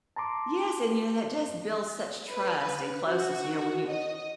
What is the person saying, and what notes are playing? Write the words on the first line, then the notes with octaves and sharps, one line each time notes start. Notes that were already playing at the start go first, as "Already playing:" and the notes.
Yes, and, you know, that does build such trust and closeness, you know, when you
A5 A#5 C6 D6
B4
F#4
D#5